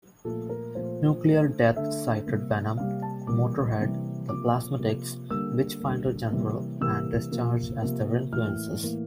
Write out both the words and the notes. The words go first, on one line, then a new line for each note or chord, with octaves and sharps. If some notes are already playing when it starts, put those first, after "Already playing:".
Nuclear Death cited Venom, Motorhead, The Plasmatics, Witchfinder General, and Discharge as their influences.
A#2 F3 A3 A4
A#4
A#2 F3 A3 C5
D3 A3
D3 A3 E5
C3 G3 A#3
C3 G3 A#3 F5
A5
C3 E3 G3 A#3 D6
C3 E3 G3 A#3
C3 F3 A#3 D6
C3 F3 A#3
D3 G3 A#3 E6
D3 G3 A#3
C3 E3 G3 A#3
C3 E3 G3 A#3 E6
C3 F3 A#3
C3 F3 A#3
A2 E3 A#3 F6
A2 E3 A#3